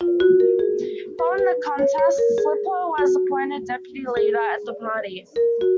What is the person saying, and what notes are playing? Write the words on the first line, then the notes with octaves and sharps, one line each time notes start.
Following the contest, Silipo was appointed deputy leader of the party.
F4
F#4
A#4
G#4
B4
B4
C#5
C#5
A#4
G#4
F#4
G#4
A#4
F#4